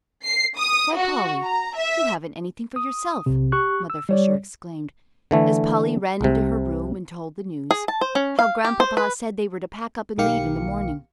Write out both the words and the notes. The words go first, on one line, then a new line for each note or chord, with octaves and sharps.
"Why, Polly, you haven't anything for yourself," Mother Fisher exclaimed, as Polly ran into her room and told the news--how Grandpapa said they were to pack up and leave in the morning.
C7
D#6
F#4
A#5
E5
D#6
B1 C3
G4 C#6 F#6
E6
G3 C#5 D5
D3 E3 A3
C2 C3
G#4
A5
C5
C#4
F5
G4
C5
B4
B1 D#3 A#3 G4 F5 C#7